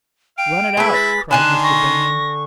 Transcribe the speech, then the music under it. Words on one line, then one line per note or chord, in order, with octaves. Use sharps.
"Run it out!" cried Mr. Benyon.
F5 G5 D7
G#3 E4 B4 E5
A6 B6
D3 D#3 G#5 A5 C6 F#6 E7
C#6 A#6